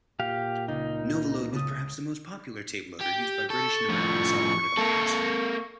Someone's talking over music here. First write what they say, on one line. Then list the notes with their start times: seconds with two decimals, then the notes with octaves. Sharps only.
Novaload was perhaps the most popular tape-loader used by British and American software developers.
0.20 A#2 G4 F5
0.68 C#2 D#4
1.53 C#3 A4 D#6
3.01 G4
3.50 A4 C#6
3.89 A2 F3
4.77 A#3 A4